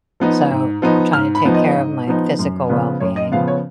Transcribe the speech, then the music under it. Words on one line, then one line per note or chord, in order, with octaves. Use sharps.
so I'm trying to take care of my physical wellbeing.
F3 B3 D#4
G#2
F3 B3 D#4
G#2 F6
B5
F3 B3 D#4
D#5
G#2
F3 B3 D#4
F#2
C#3 F3 B3
F#2 C#5
D#5
C#3 F3 B3 F5
C#5